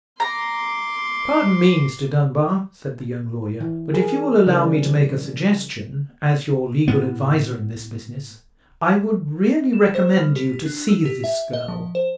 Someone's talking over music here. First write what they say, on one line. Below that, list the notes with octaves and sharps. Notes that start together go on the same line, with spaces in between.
"Pardon me, Mr. Dunbar," said the young lawyer; "but if you will allow me to make a suggestion, as your legal adviser in this business, I would really recommend you to see this girl."
A#5 C6 D6
E3
G#4 A#4
C#3 E3 F3 G3 A#4 D5
A2 B3
E7
C5
G3
G4
D4
E6
G4
E5
D#5
F3
C5